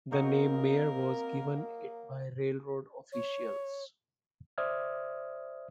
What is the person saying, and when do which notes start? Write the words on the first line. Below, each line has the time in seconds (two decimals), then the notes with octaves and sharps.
The name Mayer was given it by railroad officials.
0.12 F#3 A#3 C4 A#4 D#5 G5 C#6
3.12 C#5
4.58 C5 D5 E5 D#6 F6 G#6